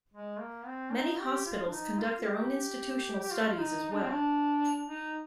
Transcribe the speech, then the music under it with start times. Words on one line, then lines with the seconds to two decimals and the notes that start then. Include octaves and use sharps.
Many hospitals conduct their own institutional studies as well.
0.14 G#3
0.40 A#3
0.67 C4
0.94 D#4
1.20 G4
1.46 F4
1.66 D4
1.73 D#4
1.98 F4
2.20 F4
2.25 G4
3.24 G4
3.31 F4
3.58 D#4
3.84 D#4
3.93 D4
4.02 C4
4.11 D4
4.90 D#4